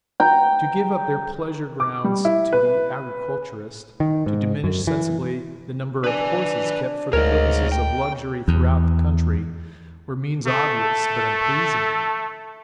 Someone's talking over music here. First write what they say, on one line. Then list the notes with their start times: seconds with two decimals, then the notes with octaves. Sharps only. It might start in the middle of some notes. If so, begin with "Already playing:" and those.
To give up their pleasure-grounds to the agriculturist, to diminish sensibly the number of horses kept for the purposes of luxury throughout the country, were means obvious, but unpleasing.
0.20 G5 A#5
1.80 D6
2.04 G3
2.25 E4
2.53 B4
4.00 D#3
4.26 G#2
4.64 F#2
4.87 E3
6.04 D4 B4 G#5
7.13 D2 G#2 A#4 C#5 D#5
7.72 G5
8.48 E2
10.47 A3 A4